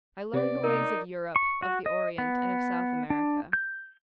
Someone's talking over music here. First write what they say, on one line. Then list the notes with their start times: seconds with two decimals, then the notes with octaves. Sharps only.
I learned the ways of Europe, of the Orient, and of South America.
0.34 C3 B3 D5
0.64 D#4 A#4
1.36 C#6
1.62 F#4
1.86 D#5
2.18 B3
3.10 D4
3.53 G6